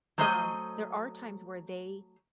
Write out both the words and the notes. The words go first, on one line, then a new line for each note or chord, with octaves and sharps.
Um, there are times where they
F#3 A3 C5 C#5 D#5 G#5